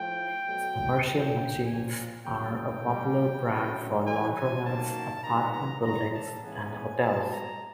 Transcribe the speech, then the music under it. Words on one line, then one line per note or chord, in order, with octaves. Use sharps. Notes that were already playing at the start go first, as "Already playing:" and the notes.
Its commercial machines are a popular brand for laundromats, apartment buildings, and hotels.
Already playing: A2 F3 A3 G5
B2 F#3 A3
F#2 C#3 F3 A3 G5
A#2 F3 A#3 G#5
C#3 F#3 A#3 G5
G5
D3 G3 A#3
F#2 D3 F#3
A2 E3 G3 G#5
G#5
F#2 D#3 F#3 A#3 A5
G#2 D#3 G3 B3 A#5
A#5
G#2 E3 G3 A#5
A5
C#3 E3 G#3 B3 G#5
B2 F#3 A3 A5
A#5